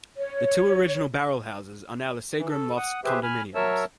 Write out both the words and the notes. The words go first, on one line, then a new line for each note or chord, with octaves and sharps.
The two original barrel houses are now the Seagram Lofts condominiums.
C#5
E3
A4
F#5 D#6
G4 G#4 B4 C5 E5
G#5 B5 F6
F#3 A#4 C#5 E5 A5 E6